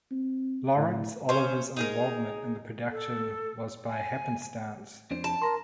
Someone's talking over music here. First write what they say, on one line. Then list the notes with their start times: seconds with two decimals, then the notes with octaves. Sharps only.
Laurence Olivier's involvement in the production was by happenstance.
0.11 C4
0.77 A2
1.29 C#4 C5
1.77 D#4 G#4 A#4
2.91 A4
3.88 G#5
5.11 F2 D4 C5
5.24 A5
5.42 A#4 A#5 C6